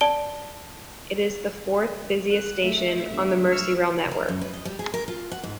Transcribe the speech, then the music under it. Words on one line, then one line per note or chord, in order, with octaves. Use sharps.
It is the fourth busiest station on the Merseyrail network.
D5 A5 D7 G7
F#6
A3 E5
B1 D3 G3
C#6 E6 F6
A#4
F#2
B4
D#5
G3
G#4
A#4
F4
F#5
G#2